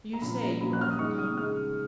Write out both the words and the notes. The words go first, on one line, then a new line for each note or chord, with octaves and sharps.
'You say you often come?'
A#5
A#2 F3 A#3 C#4 B5
A#5
A#2 F3 A#3 C#4 B5
F#6
F6
D#6
C#3 G#3 D#4 C#6
D#6
C#3 G#3 D#4 F6